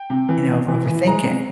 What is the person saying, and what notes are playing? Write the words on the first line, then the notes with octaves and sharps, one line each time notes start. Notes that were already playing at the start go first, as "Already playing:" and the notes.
you know, of overthinking
Already playing: G5
C3
E3
C3
E3
E3
G#3 A#5
C3